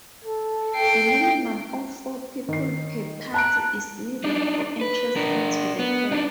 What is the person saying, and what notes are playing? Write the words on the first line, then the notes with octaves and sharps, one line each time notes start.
A minimum of four people per party is needed for entrance into the cave.
A4
G5 C7
D#3 C7
A5 A#5 F#6 D7
D4 D#4
B4
D4 A#4
B3
D4 D#4